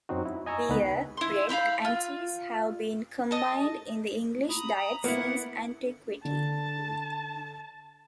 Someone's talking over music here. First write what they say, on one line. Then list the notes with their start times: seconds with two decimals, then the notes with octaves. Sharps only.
Beer, bread, and cheese have been combined in the English diet since antiquity.
0.09 F#2 F#3 C4 D#4 F#4
0.26 E4
0.46 D#5 G#5 A#5 C#6 E6
0.69 C#2 B3 D#4 B4 B5
1.17 E4 C6
1.49 F5 A#5 B5 G6
1.85 F4
3.31 D#5 A5
4.49 A#5 B5 D#6
5.04 A#3 B3 E4 F#5
6.25 D3 A5